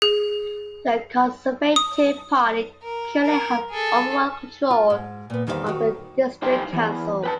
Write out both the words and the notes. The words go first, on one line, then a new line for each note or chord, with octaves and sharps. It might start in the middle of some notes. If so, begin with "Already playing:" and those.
The Conservative Party currently have overall control of the district council.
G#4
D#6
A#4
A#4
G#4 A4
F4
G#2
A#2 B3
E2 D#3 G3 C5 C#5 F5
D#3 F#4
D#4 G4 C5 F5 G5
E3 B3
B4 G5 A5